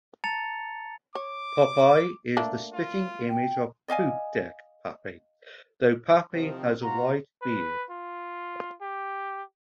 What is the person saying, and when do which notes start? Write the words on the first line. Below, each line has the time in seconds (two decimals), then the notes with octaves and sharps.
Popeye is the spitting image of Poopdeck Pappy, though Pappy has a white beard.
0.24 A5 A#5 A6 C#7 F7
1.15 C#5 D6
2.37 A3 A#3 D4
2.74 F4
3.29 G5
3.88 D5 D#5 F5 G#5
6.33 C3 D#3 F3 C4
6.82 B2 F4 F#4 A#5
7.42 B4
7.91 F4
8.81 G4